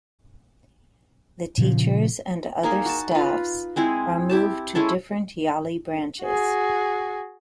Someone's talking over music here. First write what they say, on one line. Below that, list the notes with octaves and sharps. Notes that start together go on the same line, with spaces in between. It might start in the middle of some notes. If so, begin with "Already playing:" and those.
The teachers and other staffs are moved to different Yali branches.
A#2 C#3 F3
A#3 D#4 G#4 A#4
F#4 A5
F4 B4
G#3 C4 E4 G#4
E4 G4 A5
G#3 C#4 E4 A4
F#4 G#4